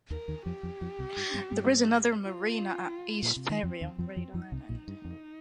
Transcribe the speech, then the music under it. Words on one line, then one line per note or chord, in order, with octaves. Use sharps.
There is another marina at East Ferry on Great Island.
D#2 D#3 A#4
D#2 D#3
F2 F3 G4
F2 F3
F2 F3
C2 C3
G2
G2 G3
G2 G3
F4
A#2
C3
D#3
F2 F3 C4
D#2 D#3
F2 F3 C4
F2 F3
F2 F3 D#4
C2 C3
A#1 A#2
G2
F2